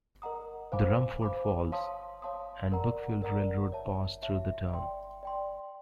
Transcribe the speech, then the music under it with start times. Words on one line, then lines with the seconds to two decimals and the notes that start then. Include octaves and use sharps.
The Rumford Falls and Buckfield Railroad passed through the town.
0.22 A#4 D#5 F#5 A#5 D#6
0.72 C5 F5 G#5 B5 D6
1.22 C5 F5 G#5 B5 D6
1.72 C#5 F5 A5 C6 D#6
2.22 C#5 F5 A5 C6 D#6
2.72 A#4 D5 F#5 A#5
3.22 A#4 D5 F#5 A#5
3.72 C#5 E5 A5
4.23 C#5 E5 A5
4.73 D5 G5 C6
5.23 D5 G5 C6